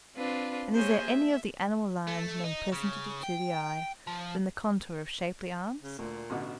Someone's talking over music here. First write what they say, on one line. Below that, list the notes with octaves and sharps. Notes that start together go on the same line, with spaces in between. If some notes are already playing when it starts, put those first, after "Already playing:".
And is there any of the animal lines known pleasanter to the eye than the contour of shapely arms?
C4 D4 F4 B4
A#3 G4 G#4 C5 C#5 G#5
E5
A3
D#4
C#3
G5
F3
C#3
D2 A#2
A1 B2 D3